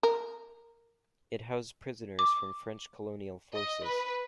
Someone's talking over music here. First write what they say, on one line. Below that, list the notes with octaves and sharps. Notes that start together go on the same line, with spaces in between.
It housed prisoners from French Colonial Forces.
A#4
D6
D#5
B4